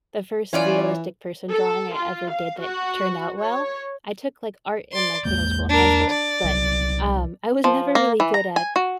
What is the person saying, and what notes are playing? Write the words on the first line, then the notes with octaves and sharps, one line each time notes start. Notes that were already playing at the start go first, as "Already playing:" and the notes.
the first realistic person drawing I ever did that turned out well. I took, like, art in, like, middle school and high school, but, um, I was never really good at
E3 C#4 F4 D5
A4
F4
F5
F#4
C#5
D5 C6
E2 G#3 A#3 G6
D4 A#4
D5
C2 F#3
F3
A#3
E3
A#5
G#5
F#4